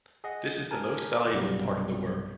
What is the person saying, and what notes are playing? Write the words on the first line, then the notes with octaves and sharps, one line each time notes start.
This is the most valuable part of the work.
G#4 D#5 F#5
A#4 G#5 A5
B1 G2 C3 F#3 G3 B3